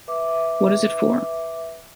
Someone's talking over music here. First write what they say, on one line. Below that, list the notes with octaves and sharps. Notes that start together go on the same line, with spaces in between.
What is it for?
B4 E5 D6